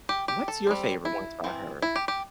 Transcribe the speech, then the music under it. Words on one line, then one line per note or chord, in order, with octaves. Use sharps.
What's your favorite ones by her?
G4
G4
A4
G3 C4
E4
E3 C4
E4
G4
G4